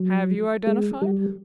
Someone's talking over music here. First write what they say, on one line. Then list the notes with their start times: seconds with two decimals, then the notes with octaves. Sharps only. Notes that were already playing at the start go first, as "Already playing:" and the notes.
'HAVE you identified?'
Already playing: F#3
0.67 G#3
1.02 G3